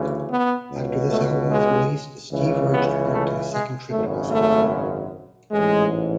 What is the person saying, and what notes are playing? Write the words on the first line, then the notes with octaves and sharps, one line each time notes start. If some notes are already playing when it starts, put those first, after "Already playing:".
After this album was released, Steve Roach embarked on a second trip to Australia.
Already playing: D2 C#3 E3
B3
C#2 B2
A3
G#3
C#2 C#3 E3
B3
A3
G#3
G#1 F#2 C#3 A3
A3
A1 G#2 E3 G#3